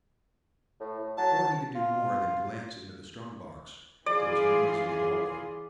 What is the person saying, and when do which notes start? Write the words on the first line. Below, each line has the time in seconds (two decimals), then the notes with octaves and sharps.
But before he could do more than glance into the strong box, there was a noise in the hallway.
0.80 A2
0.99 A2
1.17 F#3 A5
1.75 F4
4.06 E3 F4 G#4 D5